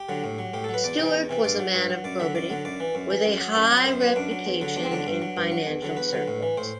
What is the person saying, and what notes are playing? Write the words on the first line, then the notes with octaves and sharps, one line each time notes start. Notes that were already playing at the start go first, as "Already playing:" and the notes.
Stuart was a man of probity, with a high reputation in financial circles.
Already playing: G4
D3 F#3
A2
F#3
A2 G4
A4
F#3 B4
E2 D5
C3 E3
E2
C3 E3
G2 D5
F#3
G2
F#3
F#2 D5
D3 F#3 E5
F#2 D5
D3 F#3
F#2 D5
E3
F#2
E3
F#2
F#3
F#2
F#3
F#2 C5
F#3 B4
F#2 D4
F#3
E2
D3 F#3
E2 D4
C4
D3 F#3 D4
G2
F#3
G2
F#3
E2
D3 F#3
E2 B4
D3 F#3
A2
E3
A2 C5